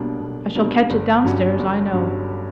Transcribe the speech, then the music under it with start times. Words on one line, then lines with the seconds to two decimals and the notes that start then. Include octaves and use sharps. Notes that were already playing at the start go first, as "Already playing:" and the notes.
I shall catch it down stairs, I know.
Already playing: B1 B2 G3 A#3 D4
0.21 B1
0.55 B2 G3 A#3 D4
0.90 G1
1.24 G2 F#3 C#4 F#4
1.59 G1
1.93 G2 F#3 C#4 F#4